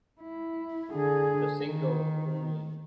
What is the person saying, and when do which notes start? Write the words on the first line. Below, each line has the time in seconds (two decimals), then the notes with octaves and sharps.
The single Boing!
0.22 E4
0.91 D3 G#4
1.67 D#3